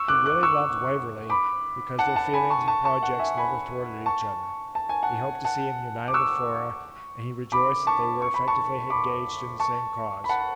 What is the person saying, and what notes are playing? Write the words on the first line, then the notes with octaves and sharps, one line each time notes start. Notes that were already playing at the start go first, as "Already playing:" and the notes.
He really loved Waverley, because their feelings and projects never thwarted each other; he hoped to see him united with Flora, and he rejoiced that they were effectually engaged in the same cause.
Already playing: C#6 E6
D6 F#6
D6 F#6
C#6 E6
B5 D6
F#5 A5
F#5 A5
G#5 B5
A5 C#6
A5 C#6
A5 C#6
F#5
E5 G#5
G#5 B5
A5 C#6
A5
G#5
F#5 A5
F#5 A5
D6
C#6 E6
B5 D6
A5 C#6
C#6
B5
A5 C#6
B5 D6
A5 C#6
B5
F#5 A5